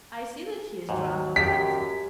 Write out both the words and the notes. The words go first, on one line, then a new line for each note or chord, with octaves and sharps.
"I see that he is drunk, but...."
D#2 G#2 F#3
F#2 G4 B6